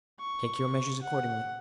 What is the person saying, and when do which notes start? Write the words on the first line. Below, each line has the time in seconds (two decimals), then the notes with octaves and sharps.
Take your measures accordingly.
0.20 C#6
1.03 F#5